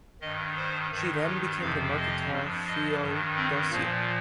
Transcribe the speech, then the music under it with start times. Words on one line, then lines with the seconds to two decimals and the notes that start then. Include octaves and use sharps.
She then became the mercantile "Theodosia".
0.21 G2 D#3 D#5
0.57 C5
0.92 G2 D#3
1.27 G4
1.62 F2 C3 F3 F5
1.97 D#5
2.31 G2 F3
2.67 D#5
3.01 G2 D#3
3.36 C4
3.71 A#2 F3 A#3